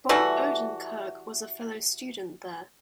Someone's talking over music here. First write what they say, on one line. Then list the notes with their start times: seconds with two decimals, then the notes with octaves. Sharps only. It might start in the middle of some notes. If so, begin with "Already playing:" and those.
Bob Odenkirk was a fellow student there.
0.09 E3 G3 A3 F#4